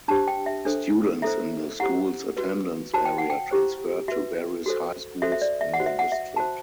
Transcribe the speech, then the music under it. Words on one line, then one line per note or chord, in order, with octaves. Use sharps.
Students in the school's attendance area transferred to various high schools in the district.
D4 G4 C5 A5
G5
E5
D4 A4 C5
E4 A4 C5 E5
E4 G4 C5 F#5
F#4 B4
F#4 C5 A5
G5
F#5
G5
E4 G4 C5
F#4 B4 E5
F#4 A4 C5
F#4 A4 C5 E5
E5
D5
E5
F#5
F#4 C5
E5
F#5
E5
F#4 C5 A5